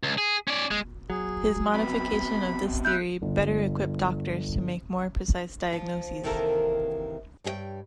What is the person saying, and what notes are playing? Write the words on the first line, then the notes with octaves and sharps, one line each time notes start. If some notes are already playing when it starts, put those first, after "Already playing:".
His modification of this theory better equipped doctors to make more precise diagnoses.
C#2
G#4
C#4 D5
G#3
F#3 G#4
C3 B3 B5
E5 B5 E6 F#6 G6
G1
F3
C3 D#3 E3 A#3 A4 A#4
G2 G3 G#4 C#5 G5